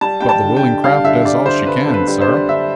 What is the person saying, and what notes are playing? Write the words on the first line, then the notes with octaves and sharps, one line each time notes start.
"But the willing craft does all she can, sir."
G3 A5
G3 G5
A5
D3
G5
G3
G3 F5
D3 E5
G3 D5
D3 C5
D3 B4
D3
B4
G3
C5
G3
D3 E5